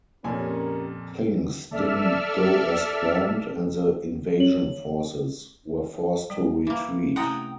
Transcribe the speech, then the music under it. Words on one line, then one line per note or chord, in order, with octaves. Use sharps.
Things didn't go as planned and the invasion forces were forced to retreat.
F2 A#2 C#4 G4 A#4 G#5
A4 D5 E5 E6 F6
C#5 F#7
G3 G5
E3 A#3
C3 A3 C#4 E4 F#5 G5 A#5 D#6